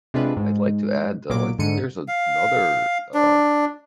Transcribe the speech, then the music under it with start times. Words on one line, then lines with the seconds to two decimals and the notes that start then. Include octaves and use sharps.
I'd like to add, though, I think there's another, um,
0.14 C3 G#3 D4 F4 B4
0.37 G#2
1.29 B1 A#2 F#3 A#3 D6
1.59 G#2 D3 C#7 D#7
2.08 F5
3.14 D4